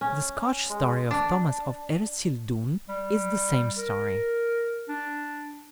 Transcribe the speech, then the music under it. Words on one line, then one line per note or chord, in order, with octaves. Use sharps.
The Scotch story of Thomas of Ercildoune is the same story.
C#4
G#3
D4
G3
A#4
D4